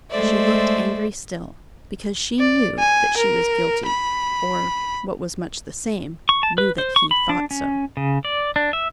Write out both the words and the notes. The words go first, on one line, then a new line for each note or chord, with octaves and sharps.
She looked angry still, because she knew that she was guilty, or, what was much the same, knew that he thought so.
G#3 A3 A4 C5 D5 E5
D5
G#5
A#4
B5
C#6
A5
B4
C5
C#6
B5
D4
C#4
C#3
D5
D4
E5